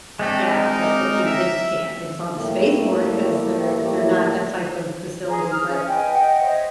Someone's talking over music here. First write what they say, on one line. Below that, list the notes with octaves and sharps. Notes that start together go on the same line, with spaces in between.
yeah, but they you know, they just can't, they just don't have the space for it 'cause they're they're not that type of facility, but,
G#3 A3 C4 D4
D#4 A#4
E5
A2 G3 A3 A#3 E4 G4
G#4 A#5
D#6 F6
C#4 G#4
B4 D#5 G5 G#5
D#5 F#5 G5
C5 C#5 D#5 E5